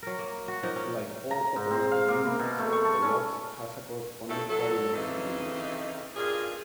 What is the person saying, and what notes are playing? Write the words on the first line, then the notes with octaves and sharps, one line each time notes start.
Like all photometric units, the lux has a corresponding "radiometric" unit.
F#3 A#4
A#3
F#4
F3 A#3 D#4
C#4
A#5
G#2
C4
F5
A#3
E4
B2
A3
C#6
A4
C#4
G2 A3 C#4 E4 A4
F#3 A4
C#3 E3 A3 C4 D#4
G2 A#2 F4 G#4